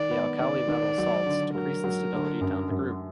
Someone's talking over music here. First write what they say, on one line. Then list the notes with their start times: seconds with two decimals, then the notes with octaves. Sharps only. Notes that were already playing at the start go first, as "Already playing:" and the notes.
The alkali metal salts decrease in stability down the group.
Already playing: D#3 D5
0.11 B3
0.39 D#3 D5
0.68 D#3
0.98 F#3
1.26 D3
1.55 F#3 A#4
1.84 F#3
2.13 D3
2.41 F#2
2.71 F#2